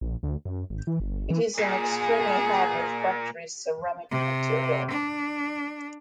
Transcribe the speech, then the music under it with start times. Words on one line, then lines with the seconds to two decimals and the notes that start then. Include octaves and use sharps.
It is an extremely hard refractory ceramic material.
0.01 A#1
0.23 D2
0.46 F#2
0.70 G#1
0.87 E3
1.00 G1
1.30 E3
1.58 A#2 G#4
4.10 C3
4.91 D4